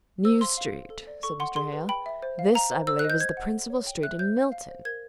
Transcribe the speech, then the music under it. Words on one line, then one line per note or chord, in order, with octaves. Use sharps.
'New Street,' said Mr. Hale. 'This, I believe, is the principal street in Milton.
C5 E6
F5 C6
F5
C5
A4
D5
A4 C#6
F#5 C6
G#4 C6
B4
G5 B5
E5
C5
F5
F5 A#5
C5
C5 E6
F#6
D#5
G6
C5 G#6
F#5
A4
C#5
G5
E5 F#6
C5 G6
F5
F5
C5
A#4 G#6